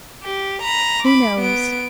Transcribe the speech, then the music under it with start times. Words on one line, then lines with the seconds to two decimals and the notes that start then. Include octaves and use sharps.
"Who knows?"
0.23 G4
0.62 A#5 B5
1.03 B5 D6
1.38 B3 D7